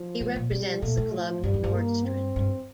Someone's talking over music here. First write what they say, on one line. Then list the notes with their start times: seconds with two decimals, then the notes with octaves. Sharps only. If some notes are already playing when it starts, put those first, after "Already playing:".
He represents the club Nordstrand.
Already playing: F3
0.21 A2
0.36 A#2
0.51 C3 G3
0.82 A#2 A3
0.97 A2
1.13 F3
1.44 G2 G3
1.54 F2
1.64 G2
1.74 A#3
2.05 C4
2.36 G2